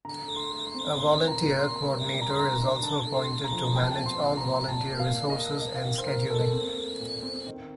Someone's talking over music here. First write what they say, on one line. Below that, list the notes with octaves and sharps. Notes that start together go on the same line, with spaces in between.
A volunteer coordinator is also appointed to manage all volunteer resources and scheduling.
D3 A#5
A3
C6
A3
C6
C4
A#2 C6
A#3
A#5
A#2
C6
A#3
G3
G3
A#5
C6
D#3 A#5
A#5
D4
D3 A5
A3
C6
A3
A#5
F3
A#2 G5
A5
G5
C4
C6
A#2 C6
A#5
A#2
A#2 A5
A#3
F5
A#2
D#5
A#3
A#3 D#5
F5
D#3 D#5
C5
A#3 A#4
A#3 A4
C4
A3
A#2
C4
D#3